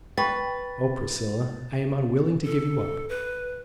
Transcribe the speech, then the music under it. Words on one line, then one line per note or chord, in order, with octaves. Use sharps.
Oh, Priscilla, I am unwilling to give you up!
B4 G5 B5 C#6 A6
A4
B4